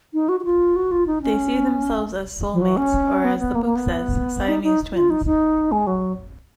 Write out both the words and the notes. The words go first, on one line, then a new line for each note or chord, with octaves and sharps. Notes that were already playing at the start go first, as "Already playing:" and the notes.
They see themselves as soulmates, or, as the book says, "Siamese twins".
D#4
F#4
F#4
F4
F#4
F4
D#4
C#4
F3
F#3
C#4
B3
B3
A#3
A#3
B3
D#4
D#4
F4
D#4
D#4
G#3
F#3